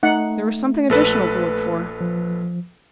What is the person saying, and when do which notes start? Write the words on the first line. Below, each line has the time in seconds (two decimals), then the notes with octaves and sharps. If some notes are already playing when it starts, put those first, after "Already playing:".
There was something additional to look for.
0.03 A3 D#4 F#5
0.90 A#1 A4 B4
2.01 F3